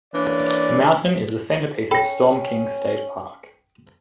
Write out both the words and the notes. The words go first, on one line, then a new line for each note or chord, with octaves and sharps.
The mountain is the centerpiece of Storm King State Park.
E3 A#3 C#4 D4 D5
C#4 A4 G5 B5 A#6